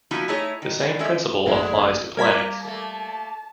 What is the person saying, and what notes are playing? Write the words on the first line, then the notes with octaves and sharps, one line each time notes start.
The same principle applies to planets.
F3 A#3 B3 D#4 E4 F#4
A3 D#4 E4 G#4 C#5
D#3
D#3 E3 G3 D4
G#3 C#4 A4 E5
A1 F#2 D3 G#3 A#3 E4
G3 A#3 A#4 A#5 G#6 B6
A3 A#3 A5